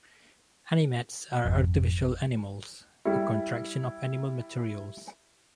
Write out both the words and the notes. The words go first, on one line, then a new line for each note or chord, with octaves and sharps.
Animats are artificial animals, a contraction of animal-materials.
G#1 F2
G3 E4